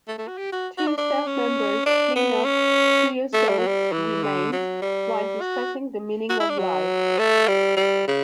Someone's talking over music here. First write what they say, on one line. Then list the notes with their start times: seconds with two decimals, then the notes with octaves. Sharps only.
Two staff members clean up Creosote's remains while discussing the meaning of life.
0.08 A3
0.18 A3
0.28 F#4
0.38 G4
0.52 F#4
0.78 F#4
0.87 D4
0.98 D4
1.27 C#4
1.86 D4
2.16 B3
2.45 C#4
3.33 A3
3.48 G3
3.58 F#3
3.67 G3
3.92 E3
4.23 D3
4.52 F#3
4.82 G3
5.41 F#4
6.30 F#4
6.40 E4
6.49 D4
6.58 F#3
7.19 A3
7.48 G3
7.77 G3
8.07 C#3